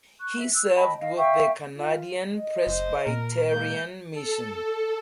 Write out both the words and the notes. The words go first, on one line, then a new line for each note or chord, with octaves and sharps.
He served with the Canadian Presbyterian Mission.
C#6 F#6
E5
E6 F#6
D#5 G5 A5 B5
D#5 F5
E5 F5 G5 C#6
F4
D#5
F#1 C5
A#2 A#4
G#3 A#3 G6
A4